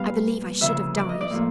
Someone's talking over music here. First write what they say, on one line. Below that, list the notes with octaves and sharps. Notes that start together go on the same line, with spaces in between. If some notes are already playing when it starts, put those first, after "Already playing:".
I believe I should have died.
Already playing: A#2 G3 B3 F5
D2 C#3 F3 E5
D5
D#5
D5
A2 F3 A#3